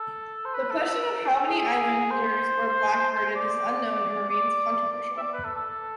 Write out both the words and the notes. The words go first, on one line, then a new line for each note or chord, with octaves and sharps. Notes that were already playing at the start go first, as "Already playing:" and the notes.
The question of how many Islanders were "blackbirded" is unknown and remains controversial.
Already playing: A4
C5
B4
A4
G#4
C5
D5
D5
D5
E5
D5
B4
A4
A4